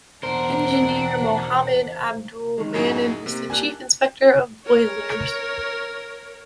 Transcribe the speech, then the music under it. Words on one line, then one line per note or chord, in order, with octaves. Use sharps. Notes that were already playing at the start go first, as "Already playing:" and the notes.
Engineer Mohammad Abdul Mannan is the Chief Inspector Of Boilers.
E2 B2 D4 A#4 C5 F#5 C6
B1 D#3 G#3
F#2 A2 F#3 D#4 G#4
C3 A#3
A#3 D4 G4 G#5 A5 F#6
A#4 C#5